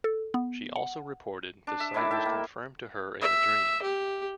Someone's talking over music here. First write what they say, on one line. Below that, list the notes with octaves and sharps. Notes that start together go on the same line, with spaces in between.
She also reported the site was confirmed to her in a dream.
A4
B3
F#5
D4
E5
A2 D#3 E4 D6
E5 G5 A5
A#3
E5
G4